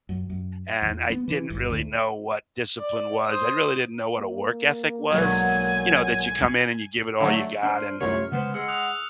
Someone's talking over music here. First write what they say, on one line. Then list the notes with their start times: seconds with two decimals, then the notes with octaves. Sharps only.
and I didn't really know what discipline was, I really didn't know what a work ethic was. You know, that you come in and you give it all you got, and
0.09 F#2
0.30 F#2
0.82 E2
1.10 B3
1.28 E3
1.50 G1
1.70 D2
2.78 D5
3.25 C5 D#6
4.15 A#3
5.12 B1 G#2 D3 F#3 G#5
7.20 D3 F#3 A3
7.63 D4 C5 F6
8.00 C2 F#2 A3 F4 G4 C#5
8.32 C#3 G#3 B3 C5
8.54 G#3 F#5 E6 C#7
8.68 D#6 F#6 F7